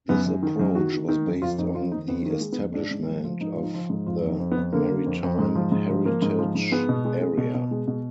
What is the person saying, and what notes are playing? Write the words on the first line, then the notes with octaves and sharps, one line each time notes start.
This approach was based on the establishment of the Maritime Heritage Area.
F#2 B3
F#2
D#3
F#2
D#3 F#4
D#3
D#3
F#2
F2 F4
F2 D#4
F2 F4
D#3 D#4
F2 B3
D#3 A#3
G#3
B3
F2
G#2 D4
G#2
F3
F3
G#2 D#4
F3 F4
D#4
F3
G#2
F2 F4
F2
D#4
F2
B3
F2
D3 A#3
D3
F2
F2
G#2
F3
G#2
F3
F3 A#3
G#2
F3
G#2
G#3 B3
B2
G#3
G#3
B2
B2
G#3
B2